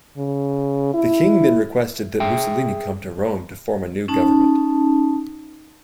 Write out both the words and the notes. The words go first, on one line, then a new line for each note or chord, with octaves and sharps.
The King then requested that Mussolini come to Rome to form a new government.
C#3
E4
G#4 E5 G5
C#4 D#4 A5